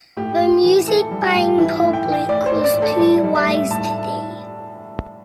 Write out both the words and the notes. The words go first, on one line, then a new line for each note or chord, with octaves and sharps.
The music buying public is too wise today.
A2 G4
A2
E3
E3 A4
G3
G4
A2
E3 E4
E4
A2
G5
E3
G5
A2 D5
C5
A2
D5
A2
A4
G3 D5
G3
E5
A2
A2 A5